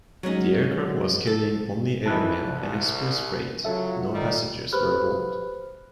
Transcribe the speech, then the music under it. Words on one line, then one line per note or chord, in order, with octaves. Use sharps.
The aircraft was carrying only airmail and express freight; no passengers were aboard.
F#3 G#3 C#4 D#4
A4
D#3 E3 E4 A5 F#6
C2
C#3 F#3 F4 A4 E5
D#3 G3
G4 B4 C5 B5 F6 F#6